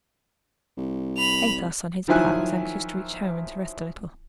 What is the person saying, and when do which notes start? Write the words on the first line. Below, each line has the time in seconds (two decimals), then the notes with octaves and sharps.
Athos, on his part, was anxious to reach home and to rest a little.
0.77 C2
1.17 B5 F7
2.08 D#3 F3 F#3 E4 G#5 F#6